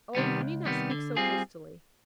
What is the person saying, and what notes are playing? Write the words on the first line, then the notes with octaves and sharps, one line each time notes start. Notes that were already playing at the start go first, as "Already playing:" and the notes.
'Oh! you need not speak so hastily.
C3 D#3 G3 B3
C#2
C3 D#3 G3 B3
D3
G3 C4 F4 G#4